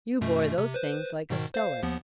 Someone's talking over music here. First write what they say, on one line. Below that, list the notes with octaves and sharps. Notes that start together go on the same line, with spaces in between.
You bore those things like a stoic.
F#2 B2 A3
C3
B4 C5
G#2 B2 D#3
C5 F5
D#2 F3 B3